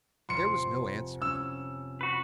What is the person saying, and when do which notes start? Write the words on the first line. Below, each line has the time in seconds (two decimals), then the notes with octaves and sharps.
There was no answer.
0.29 F1 C6 C#7
1.22 C#4 E6
2.01 F#4 B4